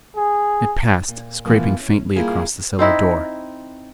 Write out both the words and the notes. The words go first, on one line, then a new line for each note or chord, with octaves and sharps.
It passed, scraping faintly across the cellar door.
G#4
A#2
B2 E3 F3 A#3
C#4
G3 A#3 E4 F4 G#4
C4 D#4 E4